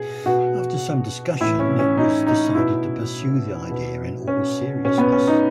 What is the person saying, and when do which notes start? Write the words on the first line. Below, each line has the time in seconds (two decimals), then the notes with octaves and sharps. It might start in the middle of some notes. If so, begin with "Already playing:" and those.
After some discussion it was decided to pursue the idea in all seriousness.
Already playing: B2 G#4
0.26 B2 F#4
1.41 A2 E3 E4
1.59 C#4
1.79 C#4
1.97 D#4
2.27 D#4
2.55 B2 E4
3.70 B2
4.28 C#4
4.84 B2 C#4
4.98 B3
5.12 C#4
5.28 D#4